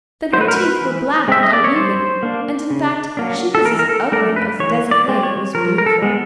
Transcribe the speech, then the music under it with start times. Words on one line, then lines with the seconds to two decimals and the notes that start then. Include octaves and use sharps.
Then her teeth were black and uneven, and, in fact, she was as ugly as Desiree was beautiful.
0.33 F#3 C5
0.38 A3 B4
0.48 A#4
0.57 B4
0.81 E3
1.28 G#3 C4 E5
1.43 D#5
1.53 D5
1.64 C#5
1.75 G3 C5
2.23 A#3 D4
2.70 C#3
3.17 F#3 A#3 D4
3.55 A4
3.65 E3 A#4
3.79 A#4
3.89 A4
4.12 A3 D4 A#4
4.36 B4
4.60 E3 C#5
4.91 D5
5.08 G#3 C4
5.23 C#5
5.55 F3 A#4
5.78 A#4
5.86 A4
6.02 G#3 B3